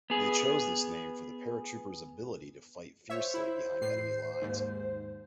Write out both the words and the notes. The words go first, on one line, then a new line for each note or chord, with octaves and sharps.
They chose this name for the paratroopers' ability to fight fiercely behind enemy lines.
B3 G#4
C5 C#5 E5
E4
A2 C7
D#2 G#2